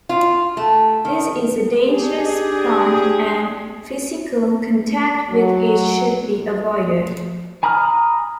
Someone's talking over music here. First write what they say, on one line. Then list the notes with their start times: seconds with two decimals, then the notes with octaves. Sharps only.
This is a dangerous plant and physical contact with it should be avoided.
0.09 F4
0.57 A3
1.05 D#3
1.88 D4 G4 G#4
5.29 F#3
7.63 G#5 A#5 B5 D#6 F6